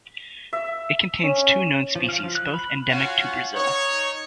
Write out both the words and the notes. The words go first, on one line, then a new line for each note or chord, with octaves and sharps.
It contains two known species, both endemic to Brazil.
E5
C#4
F3
F5
F3
F#6
B5
C#4 F4 F#4 F5 F#5
D#4 C#5